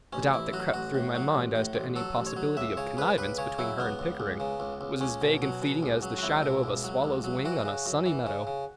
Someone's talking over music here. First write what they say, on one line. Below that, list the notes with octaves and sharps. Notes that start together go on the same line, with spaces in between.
The doubt that crept through my mind as to any possibility of connivance between her and Pickering was as vague and fleeting as the shadow of a swallow’s wing on a sunny meadow.
A1 C#4
A1 E4
F#3 F#4
A1 F#4
A2
F#3
A1
A2
A1
F#3 A4
A1
C#5
F#3
C#2 E5
C#3 C#5
C#2 B4
C#2 B4
C#3 C#5
F#3 E4
C#2 B3
C#2
C#2
C#3
C#2
C#2
C#2 C#4
B2
F#3
B2
C#2
F#3
F#4
C#2 E4
B2
C#2
F#3
C#2
F#3
E3 F#4
C#3
F#2
E3
C#3
C#3